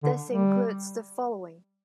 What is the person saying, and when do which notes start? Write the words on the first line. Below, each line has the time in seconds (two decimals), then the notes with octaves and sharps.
This includes the following.
0.03 D3
0.30 G3